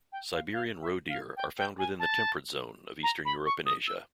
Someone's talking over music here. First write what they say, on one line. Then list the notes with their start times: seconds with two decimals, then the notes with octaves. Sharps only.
Siberian roe deer are found within the temperate zone of eastern Europe and Asia.
0.12 G5
0.32 F5
0.53 F5
0.81 E5
1.08 F5
1.36 G5
1.58 G5
1.78 G#5
1.99 A5
3.03 A#5
3.25 B5
3.45 C#6
3.65 D#6
3.87 E6